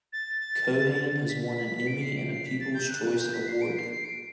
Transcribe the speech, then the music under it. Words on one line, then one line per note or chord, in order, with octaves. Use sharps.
Kohan has won an Emmy and a People's Choice Award.
A6
B6
B6
D7
C7
D7
C7
B6
A6
G6
F#6
F#6
G6
B6
C7
D7
C7
C7
D7